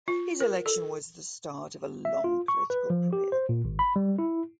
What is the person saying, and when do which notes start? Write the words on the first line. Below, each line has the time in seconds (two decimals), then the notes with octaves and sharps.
His election was the start of a long political career.
0.08 F4
0.40 A#4
0.66 A4
2.05 E5
2.24 F4
2.48 C#6
2.70 B4
2.90 F3
3.13 G4
3.32 C5
3.49 A#2
3.65 G#1
3.79 B5
3.96 G3
4.19 E4